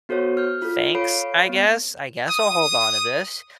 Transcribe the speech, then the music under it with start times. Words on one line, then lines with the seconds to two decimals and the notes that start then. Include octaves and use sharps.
"thanks, I guess. I guess I'll hold on to this."
0.09 B3 F#4 A4 C5 C#5
0.37 F6 G6
0.62 F4 A4
0.95 A4 C#5 F5 B5 C7 D7
1.49 B3
2.27 D#6